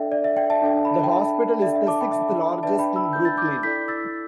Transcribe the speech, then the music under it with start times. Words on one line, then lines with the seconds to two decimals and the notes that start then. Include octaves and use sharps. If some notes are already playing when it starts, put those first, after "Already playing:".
The hospital is the sixth largest in Brooklyn.
Already playing: D4 A4 D5 E5 G5
0.12 D5
0.24 E5
0.37 D5 G5
0.50 E5 A5
0.62 D4 A4 D5
0.85 B5
0.94 A5
1.04 G5
1.13 E5
1.62 D4 A4 D5 E5
1.76 E5
1.87 A5 D6
2.01 G5 B5
2.12 E5
2.63 D4 B4 D5 E5 A5
2.79 G5 B5
2.96 B5 E6
3.13 G6
3.25 A6
3.37 D6 G6
3.63 E4 A4 D5 G6 B6
3.88 E6 A6